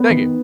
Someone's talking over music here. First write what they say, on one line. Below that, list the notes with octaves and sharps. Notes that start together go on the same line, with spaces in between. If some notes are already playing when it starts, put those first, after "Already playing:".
Thank you.
Already playing: B3 B4
D#3